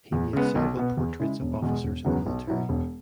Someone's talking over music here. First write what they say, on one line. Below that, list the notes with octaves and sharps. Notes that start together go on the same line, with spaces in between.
He made several portraits of officers in the military.
E2
C#3 G#3 B3
B1
B2 B3
E2
C#3 G#3 E4
E1
E2 B2 G#3
E1
E2 C#3 F#3 B3
B1
B2 F#3 E4
E1